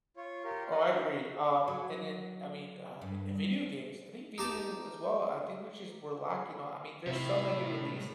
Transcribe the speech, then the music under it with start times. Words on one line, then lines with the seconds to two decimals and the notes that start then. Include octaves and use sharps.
Oh, I agree, um, and then, I mean, uh, eh, video games, I think video gaming, as well. I think we're just we're lacking on I mean, there's some that get released,
0.16 F4 C#5
0.44 F4 G4 A#4
0.72 A#4 B4 D#5 F#5
0.90 D4 E4 F#4 G4 C#5
1.68 F#3
3.02 G2
4.38 D#4 G4 A5 A#5
7.07 A2 C3 D#3 E4 E5